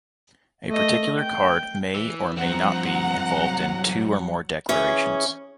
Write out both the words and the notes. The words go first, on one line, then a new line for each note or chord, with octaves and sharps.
A particular card may or may not be involved in two or more declarations.
A3 D#5
G5
E3
G2 F3 C4 F#5 A#5
F#3
E3 C#4 G#4 C#5